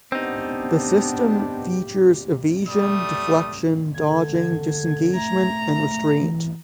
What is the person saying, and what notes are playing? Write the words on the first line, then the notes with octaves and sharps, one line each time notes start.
The system features evasion, deflection, dodging, disengagement, and restraint.
B3 C4 D4 D#4 G4
G3 A3 D#6
D3 G#6
A3 A#5
E3